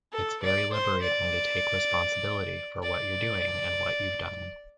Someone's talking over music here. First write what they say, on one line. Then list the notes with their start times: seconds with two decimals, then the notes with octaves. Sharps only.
It's very liberating to take responsibility for what you're doing and what you've done.
0.13 A4
0.43 D5
0.73 C5
1.02 D5
2.83 D5